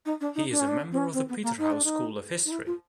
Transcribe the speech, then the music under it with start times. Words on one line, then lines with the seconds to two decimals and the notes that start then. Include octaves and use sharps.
He is a member of the Peterhouse school of history.
0.05 D#4
0.20 D4
0.35 D#4
0.51 D4
0.60 C#4
0.67 D4
0.92 C4
0.97 C#4
1.13 C4
1.28 B3
1.43 A#3
1.58 D#4
1.71 D4
1.84 D#4
2.45 D#4
2.51 E4
2.66 F4